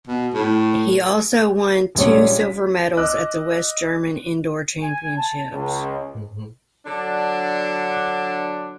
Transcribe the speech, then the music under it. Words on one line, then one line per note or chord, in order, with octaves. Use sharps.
He also won two silver medals at the West German indoor championships.
B2
A2
A#1 G3 G#3 C#4 C#5
B6
D#5 D6 E6 F#6
G#5
A5
C#2
D3 F#3 D4